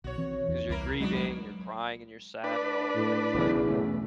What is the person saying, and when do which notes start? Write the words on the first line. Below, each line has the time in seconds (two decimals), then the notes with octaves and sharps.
'cause you're grieving and you're crying and you're sad and all, but then it's like
0.04 B1 F#4 C#5
0.18 E3 C4
0.48 E2
0.69 C2 A#3 E4 A#4
1.00 F#3 G#3 D4 D#4 F#4
1.12 A#3 B3
2.44 D4 B4
2.95 A2
3.35 B1 E2 C#3
3.68 B2 A3 C#4